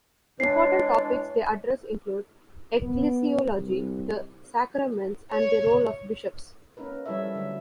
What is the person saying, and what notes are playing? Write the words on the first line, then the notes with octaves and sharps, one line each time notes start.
Important topics they address include ecclesiology, the sacraments, and the role of bishops.
E3 G#3 D4 C#5 C7
B3
C2
C#5
A#3 C#4 D#4 A#4 B4
F3 G3 E4 A4 C#5 E5
D3 F#3 A3